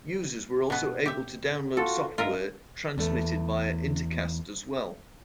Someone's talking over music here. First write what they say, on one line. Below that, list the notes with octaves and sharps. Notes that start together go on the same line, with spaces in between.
Users were also able to download software transmitted via Intercast as well.
B2 B3
G4 E5
F4 F#4 A4
G2 G#3 F4 A#4 E5
E2 A3